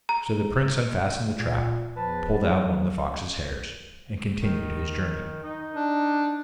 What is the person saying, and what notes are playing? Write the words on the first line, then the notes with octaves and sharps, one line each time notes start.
So the prince unfastened the trap, pulled out one of the fox's hairs, and continued his journey.
A#5
A#2
E2 F3 B4 A5
F#3
D#3
D#4
D4